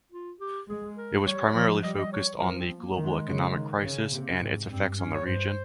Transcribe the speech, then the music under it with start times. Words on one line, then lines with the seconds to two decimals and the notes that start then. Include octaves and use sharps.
It primarily focused on the global economic crisis and its effects on the region.
0.12 F4
0.40 G4
0.69 G#3 G#4
0.98 A#4
1.27 G3 C#5
1.55 F3
1.83 G3 D#5
1.99 D#5
2.12 C#5
2.41 F3 A#4
2.59 C4
2.78 A#3
2.97 D#3 G#3
3.26 C#3
3.55 D#3
3.83 C#3
4.11 C3 A#3
4.30 C#4
4.40 G#2 C4
4.69 G2 C4
4.97 C#4
5.14 C#5
5.25 G2 C5